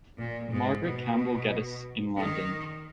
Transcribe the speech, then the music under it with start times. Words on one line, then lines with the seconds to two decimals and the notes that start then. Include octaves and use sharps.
Margaret Campbell-Geddes in London.
0.18 A#2
0.51 G#2
0.83 B2
2.15 D#3